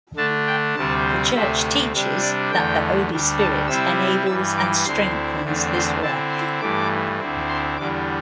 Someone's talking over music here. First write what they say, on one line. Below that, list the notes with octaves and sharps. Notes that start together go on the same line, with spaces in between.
The church teaches that the Holy Spirit enables and strengthens this work.
D3 A3 D4 A5
G5
D2 C3 G3 C4 A5
D2 C3 A3 C4 E5
C3 G3 D4
D5
E2 D3 A3 G5
D2 D3 G3
A5
C3 G3 C4 E4 E6
G2 E3 G3 E6
D6
D2 D3 C4 E4 C6
E2 D3 A3 C4
C6
D3 C4 E4 A5
C6
G2 E3 A3 D6
D2 D3 C4 E4
C6
E2 D3 G3 E4 D6